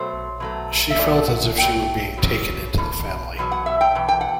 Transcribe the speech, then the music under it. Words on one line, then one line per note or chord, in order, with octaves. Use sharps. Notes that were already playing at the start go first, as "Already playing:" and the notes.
She felt as if she were being taken into the family.
Already playing: B2 F#3 A3 C5
B2 F#3 A3
E5
B2 F#3 A3 D5
F#5
B2 F#3 A3 G5
E2 B2 F#3
E2 B2
E2 B2 F#3
F#5
E5
G5
E2 B2
G5
F#5